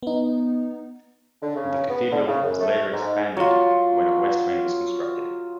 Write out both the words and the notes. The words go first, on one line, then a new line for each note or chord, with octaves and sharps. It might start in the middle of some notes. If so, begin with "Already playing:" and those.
The cathedral was later expanded when a west wing was constructed.
B3 D#4
D3
C#3
B3
D3
C#3
F#2
A3
G#2
F#3 F4